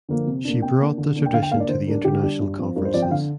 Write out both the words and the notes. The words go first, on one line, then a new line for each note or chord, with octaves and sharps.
She brought the tradition to the International conferences.
D3 F3 A#3
C3
A#3 D4
C3 G5
A#3 D4
D3
A#3 D4
G5
D3 F5
G5
A#3 D4 F5
D5
D3 C5
G3 D4 A#4
D3 G4
G3 D4
G2
F3 C4
G2 A#4
C5
F3 C4 D5
G5
D3 F5